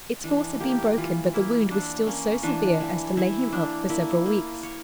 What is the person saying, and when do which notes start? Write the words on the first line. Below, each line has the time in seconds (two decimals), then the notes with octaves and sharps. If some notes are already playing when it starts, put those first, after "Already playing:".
Its force had been broken, but the wound was still so severe as to lay him up for several weeks.
0.24 E3 D4
0.60 A#3 G4
0.97 E3 F4
1.34 A#3 E4
1.71 E3 D4
2.07 A#3 C#4
2.43 E3 D4
2.80 E3
3.17 E3 E4
3.52 A#3 D4
3.89 A#3 E4
4.25 A#3
4.63 A#3 C#5